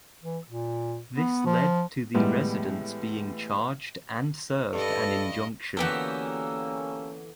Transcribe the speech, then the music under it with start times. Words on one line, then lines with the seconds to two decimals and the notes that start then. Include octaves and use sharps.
This led to the residents being charged and served an injunction.
0.23 E3
0.49 A#2
1.14 B3
1.46 F3
2.14 A2 E3 G3 G#3 B3
4.73 G2 E4 A4 B4 D#5
5.77 D3 E3 A#3 B3 C#4 F#4 G4 A4